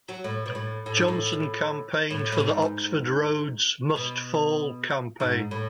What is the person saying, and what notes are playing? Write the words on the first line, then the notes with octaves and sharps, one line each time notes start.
Johnson campaigned for the Oxford Rhodes Must Fall campaign.
F#3
A2
B2
A2
A2
G#2
A2
A2
A2
G#2
B2
G#2
A2